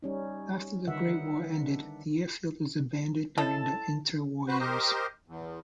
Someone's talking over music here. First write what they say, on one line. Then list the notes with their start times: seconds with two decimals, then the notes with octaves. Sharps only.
After the Great War ended, the airfield was abandoned during the inter-war years.
0.02 G3 C#4 D#4
0.87 D3 D#3 D#4 B4 E5 F#5
1.58 D4 D#4
3.38 E4 A4 C#5 D#5 A5
4.48 F#4 B4 C5
4.60 G4 A#4 C5 D#5
5.28 E2